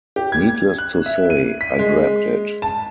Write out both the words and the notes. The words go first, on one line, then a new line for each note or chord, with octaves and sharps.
Needless to say, I grabbed it.
G4
G#6
F#6
E5
D#7
B6
G#3
A5